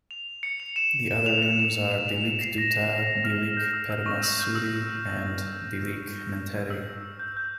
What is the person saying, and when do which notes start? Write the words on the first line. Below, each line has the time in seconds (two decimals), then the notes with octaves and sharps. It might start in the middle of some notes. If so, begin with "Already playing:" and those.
The other rooms are "Bilik Duta", "Bilik Permaisuri" and "Bilik Menteri".
0.11 F7
0.43 C#7
0.60 F7
0.76 E7
1.26 F7
1.42 E7
1.59 E7
1.76 F7
1.92 E7
2.08 F7
2.25 E7
2.41 C7
2.58 A#6
3.24 F6
3.57 G6
3.73 E6
3.90 E6
4.06 C#6
4.23 E6
4.39 G6
4.55 E6
6.70 E6
7.19 G6
7.37 G6